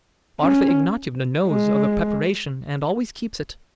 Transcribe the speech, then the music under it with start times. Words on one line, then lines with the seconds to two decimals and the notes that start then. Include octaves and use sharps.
Marfa Ignatyevna knows of a preparation and always keeps it.
0.41 C#4
1.47 G#3